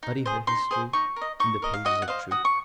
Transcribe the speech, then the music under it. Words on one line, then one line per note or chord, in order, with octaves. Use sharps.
Study her history in the pages of truth.
D#4
G#4 C5
D#4 C6
G#4 C5
D#4 C#6
A#4
D#5
D#4 C#6
A#4 D#5
F5
F#4 D#5
F#5
C5 D#5 F5
F#4 D#6
C#6